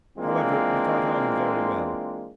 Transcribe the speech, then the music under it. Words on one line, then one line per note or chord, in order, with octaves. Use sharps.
However, we got on very well.
E3 G#3 A#3 C4 D4 F4